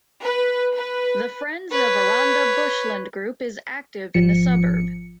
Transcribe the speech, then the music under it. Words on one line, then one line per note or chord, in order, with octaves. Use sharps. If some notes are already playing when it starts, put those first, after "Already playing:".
The Friends of Aranda Bushland group is active in the suburb.
B4
B4
B4 C#5
G#1 F3 C#7